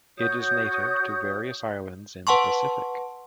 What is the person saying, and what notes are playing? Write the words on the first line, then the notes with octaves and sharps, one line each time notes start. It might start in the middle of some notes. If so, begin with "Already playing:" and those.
It is native to various islands in the Pacific.
F#4 C#5 D#6 G6
B4 F#5 A5 C6 C#6